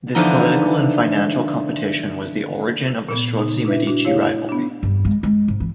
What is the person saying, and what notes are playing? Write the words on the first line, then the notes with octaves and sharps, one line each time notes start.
This political and financial competition was the origin of the Strozzi-Medici rivalry.
D3 E3 F3 B3 D#4
A#2 B3
C#3 D#4
D4 E4 B4 E5
D4 F#4
A3 E4 G4 C#5 F5
B3 D4
G2
G#3
G#3
G#2
E3